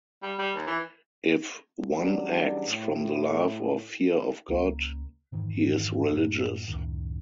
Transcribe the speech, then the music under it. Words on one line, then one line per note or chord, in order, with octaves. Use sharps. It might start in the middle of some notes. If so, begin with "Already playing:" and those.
If one acts from the love or fear of God, he is religious.
G3
G3
D#2
E3
C#3 E3 F#3 G3 D4 F#4
A2
C#2 A#3
F2 G#2 D#3 E3
F#2 A2 A#3
C#2 F#2 A2 D#3